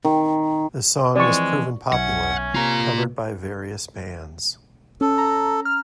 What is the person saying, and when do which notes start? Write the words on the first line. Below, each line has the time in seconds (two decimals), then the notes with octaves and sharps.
This song has proven popular, covered by various bands.
0.05 D#3
1.16 E3 F3 G#3 C4 D5 C#6
1.92 B1 C#4 E5 F#5
2.55 C3 A#3 F4 A#5
5.01 C#4 A4
5.18 A#5
5.65 F6